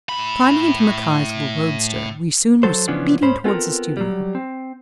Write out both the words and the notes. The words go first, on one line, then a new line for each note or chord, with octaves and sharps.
Climbing into Mackay's little roadster, we soon were speeding toward the studio.
A2 B5
F#3 A4 C5
C#3 E3 F3 B3 C#4 D4
G#2 C#4 C5 B5
B3 C4 F4 A4 A#4
F#3 G3
C4